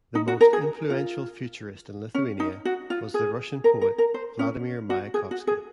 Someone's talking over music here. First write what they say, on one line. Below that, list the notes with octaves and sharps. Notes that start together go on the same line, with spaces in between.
The most influential futurist in Lithuania was the Russian poet Vladimir Mayakovsky.
D#4
F#4
A#4
G#4
F4
C#4
D#4
F#4
F4
G#4
A#4
A#4
A#4
C5
C#4
F#4
G#4
F#4
G#4